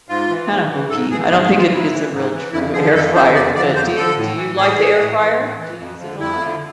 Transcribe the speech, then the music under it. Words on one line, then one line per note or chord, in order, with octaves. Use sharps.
kinda hokey. I don't think it it's a real true air fryer. But do do you like the air fryer? Do you use it a lot?
G#2 F4
E3
G#2
E3
G#2 A4
E3 G#4
G#2 G#4
G#4
E3
F4
G#2 E4
E3
G#2
E3
F2 E4
D3 F3 G#4
F2 A4
D3 F3 C5
F2 D5
D3 F3 D5
F2 C5
D3 F3 A4
A2
E3
A2 G#4
E3
A2
E3
A2
E3
F2
D3 F3
F2 E4
D3 F3